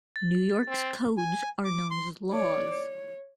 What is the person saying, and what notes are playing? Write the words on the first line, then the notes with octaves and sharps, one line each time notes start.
New York's codes are known as Laws.
A6
C4
G#5
D6
C6
C#5 D5
C#5